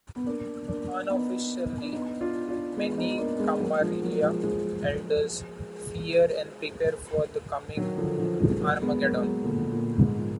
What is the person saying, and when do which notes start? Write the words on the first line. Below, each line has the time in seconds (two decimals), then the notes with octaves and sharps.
Unofficially many Camarilla elders fear and prepare for the coming armageddon.
0.16 B3
0.26 A#3 D4
0.68 A#3 D4
1.10 B3 D#4
1.82 D4
1.93 B3 D#4
2.21 D4 F4
2.49 D4 F4
2.77 G#3 B3
2.98 B3 D#4
3.18 A#3 D4
3.39 G#3 B3
3.60 F#3 A#3
3.81 F3 G#3
4.02 F#3 A#3
4.22 F3 G#3
4.43 F3 G#3
7.77 D#3 F#3
7.98 D3 F3
8.19 D3 F3
8.40 F3 G#3
8.60 F#3 A#3
8.82 G#3 B3
9.03 F#3 A#3
9.17 G#3
9.23 F#3 A#3
9.44 A#2 D3
9.72 A#2
9.99 G#2
10.19 F3